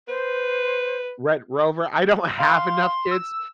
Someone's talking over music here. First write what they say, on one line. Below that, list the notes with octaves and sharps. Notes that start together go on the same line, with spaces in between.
Red Rover, I don't have enough kids
B4 C5
F5 C6
E6